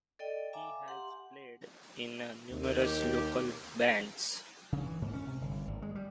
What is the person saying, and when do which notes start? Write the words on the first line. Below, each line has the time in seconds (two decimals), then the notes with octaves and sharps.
He has played in numerous local bands.
0.19 A4 D5 D#5 G5
0.53 E5 F5 G#5 A#5 D6
0.88 G4 F#5 C6
2.51 D#2
2.83 G4
4.72 C#3
4.86 E3
5.02 G#2
5.13 C#4
5.27 C3
5.41 G1
5.67 G#1
5.82 G#3
5.95 G3